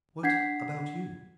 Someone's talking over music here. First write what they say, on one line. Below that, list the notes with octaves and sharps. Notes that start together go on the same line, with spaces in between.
What about you?
D4 F#5 G#6 B6 C7